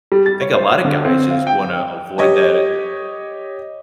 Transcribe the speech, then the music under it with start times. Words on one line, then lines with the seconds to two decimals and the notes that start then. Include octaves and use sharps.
I think a lotta guys just wanna avoid that a
0.12 G3
0.26 A6
0.41 C#5
0.54 C5
0.85 D3
1.05 C4
1.30 F5
1.47 G5
2.18 G4 C#5 D#5